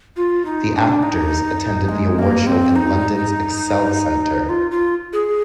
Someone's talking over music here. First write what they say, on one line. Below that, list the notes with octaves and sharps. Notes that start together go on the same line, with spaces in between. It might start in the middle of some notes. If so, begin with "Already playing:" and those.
The actors attended the award show in London's excel centre.
F4
D#4
D4
D#4
G#3
A#3
C4
D#4
F4
F4
G#4